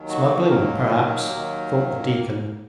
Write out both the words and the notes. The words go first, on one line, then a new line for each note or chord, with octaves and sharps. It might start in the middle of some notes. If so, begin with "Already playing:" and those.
"Smuggling, perhaps," thought the deacon.
Already playing: D#2 D#3 F#3
F#4
D#2 D#3 F#3 A#3 A#4
D#2 D#3 F#3